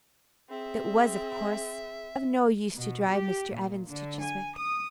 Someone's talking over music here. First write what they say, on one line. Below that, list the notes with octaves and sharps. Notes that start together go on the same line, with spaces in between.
It was, of course, of no use to drive Mr. Evans to Chiswick.
C4 G#4 E5
B2
G4
A#2
D3
G#5
D#6